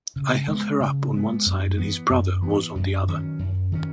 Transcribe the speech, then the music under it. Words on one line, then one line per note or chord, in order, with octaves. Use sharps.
I held her up on one side and his brother was on the other.
C#3
G#3
B3
C#3
G#3 B3
F#2
E3 B3
F#2
E3 B3
F#2
D#3 F#3 C#4
F#2
D#3 F#3 C#4